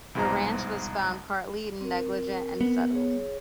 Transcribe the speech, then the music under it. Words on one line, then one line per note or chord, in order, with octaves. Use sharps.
The Ranch was found partly negligent and settled.
C2 F2 G#2 B2 C5 A#5
C4 A#4
B3
G#4 C#5